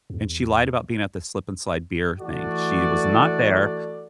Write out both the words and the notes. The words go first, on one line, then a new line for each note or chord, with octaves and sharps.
and she lied about being at the slip and slide beer thing, she was not there.
E2
E3 A3 F#4 A4 D5